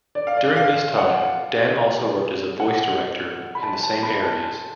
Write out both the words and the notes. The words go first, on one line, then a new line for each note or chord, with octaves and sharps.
During this time, Dan also worked as a voice director in the same areas.
D5
F5
D5
F5
F#5
F#5
B5
A5
A5
B5
A5